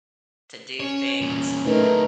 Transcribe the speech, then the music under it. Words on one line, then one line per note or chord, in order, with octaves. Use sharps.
to do things,
C#4 C#5
E2 A#2
A2 D3 A3 D#4 A#4 B4